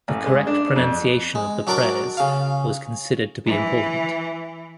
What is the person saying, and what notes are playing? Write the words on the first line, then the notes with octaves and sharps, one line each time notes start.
The correct pronunciation of the prayers was considered to be important.
A1
G#3
D4
F2
G#3
F#3 D4 A#4 D5 D6
C#3 F5
E3